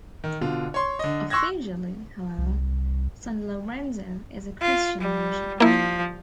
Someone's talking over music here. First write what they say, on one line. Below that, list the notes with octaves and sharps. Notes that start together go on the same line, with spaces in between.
Officially, however, San Lorenzo is a Christian nation.
D#3
B2 D3 F4
C#5 C6
D3 D#5
C6 C#6 E6 F#6 G#6 A#6
C2
F4
G3
F3 A#3 E4